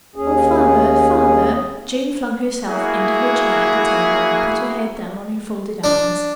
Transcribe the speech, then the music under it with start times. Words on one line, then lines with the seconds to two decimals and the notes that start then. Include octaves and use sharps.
"Oh, father, father!" Jane flung herself into her chair at the table and put her head down on her folded arms.
0.16 D#2 C#4 G#4
2.68 A#3 E4 F#4 G#4
5.84 D4